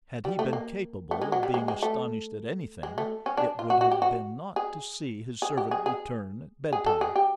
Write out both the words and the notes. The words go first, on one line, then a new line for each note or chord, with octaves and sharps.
Had he been capable of being astonished at anything, it would have been not to see his servant return at bedtime.
G3
A3
A#3
A3
G#3
F#3
G3
G#3
G#3
A3
G#3
A3
C#4
D4
F4
F#4
F#4
G4
F#4
G#4
G#4
G4
G#4
G#4
G#4
A4
G#4
G4